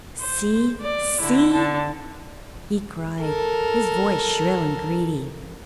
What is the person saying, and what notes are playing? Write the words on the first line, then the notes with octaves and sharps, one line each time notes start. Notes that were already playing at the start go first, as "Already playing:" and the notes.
"See, see!" he cried, his voice shrill and greedy.
C5
D5
D3 E4
D3 A5
A4 A#4